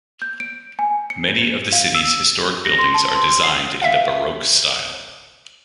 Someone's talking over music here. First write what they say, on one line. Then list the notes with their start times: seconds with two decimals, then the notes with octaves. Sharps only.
Many of the city's historic buildings are designed in the Baroque style.
0.22 G6
0.40 D7
0.79 G#5
1.10 C#7
1.72 F5
1.95 E6
2.65 A#6
2.79 C6
2.94 A5
3.15 C6
3.44 C7
3.82 E5 F5